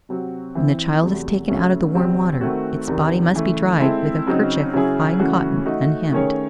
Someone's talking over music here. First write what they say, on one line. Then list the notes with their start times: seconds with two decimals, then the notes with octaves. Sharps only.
When the child is taken out of the warm water, its body must be dried with a kerchief of fine cotton, unhemmed.
0.09 C3 F#3 C4 F#4
0.55 E3 C4 E4
1.02 E2 C3 F#3 A3
1.48 C#3 F#3 A3 C#4
1.94 E2 C3 F#3 C4
2.41 D#3 A3 C4 F#4
2.87 E2 C3 D#3
3.34 C#3 E3 A3
3.80 G#3 C4 E4 A4 C5
4.27 C#3 F#3 C4 D#4
4.73 C#3 F#3 C#4 E4 G#4
5.19 C#3 E3 A3 C#4 F#4
5.66 A3 D#4 F#4
6.12 D#3 A3 C#4 G#4 C#5